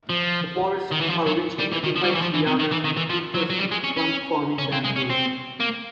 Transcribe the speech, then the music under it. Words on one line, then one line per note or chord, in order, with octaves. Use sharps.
The forests are rich in epiphytes, lianas, and creepers and clump-forming bamboo.
F3
D#3
E3
F3
F#3
G3
E3
D#3
F3
G3
F#3
E3
F3
E3
C3
D#3
E3
D#3
E3
F3
F#3
F#3
G3
G#3
C#4
C#4
C#4
C4
G#3
C#4
C4
A#3